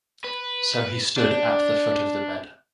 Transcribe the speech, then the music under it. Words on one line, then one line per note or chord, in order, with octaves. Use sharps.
So he stood at the foot of the bed.
B4
D4